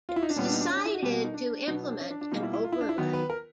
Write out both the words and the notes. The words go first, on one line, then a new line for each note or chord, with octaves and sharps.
It was decided to implement an overlay.
F4
E4
D#4
D4
A#2 G3 B3 C#4
D4
D#4
D4
C#4
D4
E4
F#4
B2 G3 B3 G4
F#4
D#4
D4
B2 F#3 B3
D4
C#4
D4
D4
B2 G3 A#3 D#4
E4
E4
F4
E4
D4
E4
D#3 F#3 B3
B4
A#4